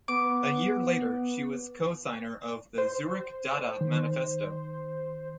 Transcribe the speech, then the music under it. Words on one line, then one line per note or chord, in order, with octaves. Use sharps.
A year later, she was a co-signer of the Zurich Dada Manifesto.
B3 D6
C5
D#3